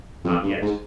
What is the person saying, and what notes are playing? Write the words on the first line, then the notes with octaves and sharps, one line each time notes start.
Not yet.
F2
G2
G#2